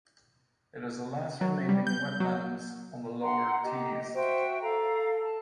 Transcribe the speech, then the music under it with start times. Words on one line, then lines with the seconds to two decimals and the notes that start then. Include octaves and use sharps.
It is the last remaining wetland on the lower Tees.
1.41 F#3
1.69 G3
1.87 G6
2.20 F#3
3.21 F#5 A#5 C6
3.63 G4 D#5
4.15 F#4 C5 E5 G5
4.62 A4 F5 A#5
5.23 A5